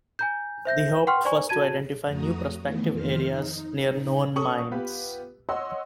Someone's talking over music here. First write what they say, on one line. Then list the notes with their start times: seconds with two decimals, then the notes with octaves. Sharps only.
The hope was to identify new prospective areas near known mines.
0.19 G#5 A#5 G6
0.65 C5 E5 G6 A#6
1.07 F#5 G5 C6 C#6 F6
1.25 C5 D5 G#5 A#5 C#6
1.49 F#4 A5 G#6 D#7
2.05 F2 A3 F#4 A#5 D#6
2.60 D#3 E3 A3 B3
2.90 F2 D#3 C5 F6
3.27 D#4
3.86 C#3 D#4
4.36 C#4 A4 C#6 D#6 F#7
4.71 B3 F4 G4 B4
5.49 C#5 D#5 F#5 C6 E6